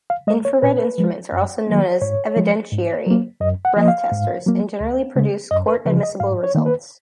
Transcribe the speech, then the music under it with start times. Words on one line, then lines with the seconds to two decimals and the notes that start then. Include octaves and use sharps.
Infrared instruments are also known as "evidentiary breath testers" and generally produce court-admissible results.
0.10 F5
0.27 G#3 D#5
0.45 C#5
0.62 A#2 B4
0.98 F3 G#3
1.32 F#2
1.67 D#3 F#3 A#3
2.02 G#2 C#5
2.36 F3 G#3
2.72 G#2
3.06 F#3 A#3
3.41 F#2 D#5
3.65 F#5
3.77 F3 A#3 D#5
3.88 F5
4.12 G#2
4.46 F#3 A#3
4.80 C#2
5.16 C#3 G#3
5.51 F#2 D#5
5.68 B4
5.86 C#3 F3 B4
6.03 D#5
6.20 G#2 F5
6.44 C#5
6.55 D#3 A#3
6.66 B4